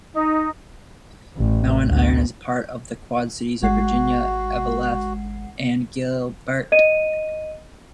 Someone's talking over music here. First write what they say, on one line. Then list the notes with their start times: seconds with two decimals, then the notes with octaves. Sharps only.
Mountain Iron is part of the Quad Cities of Virginia, Eveleth, and Gilbert.
0.13 D#4
1.38 A1
1.88 D2
3.63 G#1 G#3 F#4 F#5 C7
6.72 D#5 D#7